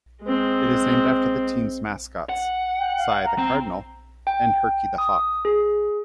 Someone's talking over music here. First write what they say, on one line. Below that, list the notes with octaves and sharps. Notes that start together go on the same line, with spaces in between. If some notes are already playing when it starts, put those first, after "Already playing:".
It is named after the teams' mascots, Cy the Cardinal and Herky the Hawk.
G#3 C4
F#5
G5
F5
A#5
C4
G5
D#6
G#4